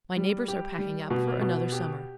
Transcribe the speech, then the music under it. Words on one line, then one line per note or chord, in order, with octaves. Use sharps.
My neighbors are packing up for another summer.
G3
G4
G3
B2
B2
G4